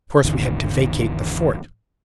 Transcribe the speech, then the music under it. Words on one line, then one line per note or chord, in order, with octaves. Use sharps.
Of course we had to vacate the fort.
G#1 E2 D3 E3